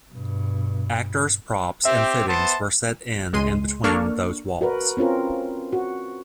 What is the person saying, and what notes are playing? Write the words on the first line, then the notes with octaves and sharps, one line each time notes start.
Actors, props and fittings were set in and between those walls.
G2 B2
C4 G4 E5
B3 C5 A5
C#2 G#3 C6 D#7
A#3 D4 A4 C#6 F6
F#4 A#4 B4
C4 C#4 F4 A#4
F#4